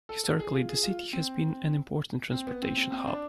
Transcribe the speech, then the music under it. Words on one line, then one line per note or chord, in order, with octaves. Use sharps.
Historically, the city has been an important transportation hub.
A4
A4
G#4
F4
G#4
F4
C4
C4
B3
C4
C4
C4
D4